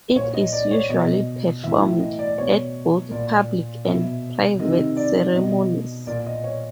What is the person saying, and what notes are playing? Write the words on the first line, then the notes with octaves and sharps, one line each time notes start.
It is usually performed at both public and private ceremonies.
A#2 C#5
D#5
D5
C#5
B2 D#5
A2 E3 E5
E5
D#5
D5
B2 C#5
A#2 D5
B2 E5
C3 D#3 D#5
D5
B2 D#5
A#2 D5
D#5
C#5